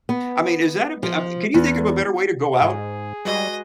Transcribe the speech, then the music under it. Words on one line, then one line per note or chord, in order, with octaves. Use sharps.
I mean, is that a g uh can you think of a better way to go out?
B3
F3
E2
G#2 G#4
G3 G#3 F#4 B4 D#5